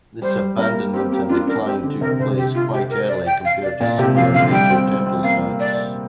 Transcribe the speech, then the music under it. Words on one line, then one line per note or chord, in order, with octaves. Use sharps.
This abandonment and decline took place quite early compared to similar major temple sites.
G3 C5
A#3 A#4
C4 G4
A#3 G4
D4 F4
D4 A#4
C4 G4
D3
C3 A#4
C3 C5
G4
F4
G4
A#4
D5
G5
F5
D5
A#2 D5
C3 G4
F3 F5
D3 F5
G3 G5
C4
C4
C4
A#3 F5
D5